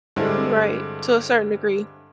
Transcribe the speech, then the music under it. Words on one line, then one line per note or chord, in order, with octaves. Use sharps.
you right. To a certain degree.
G2 D3 G#3 C4 E4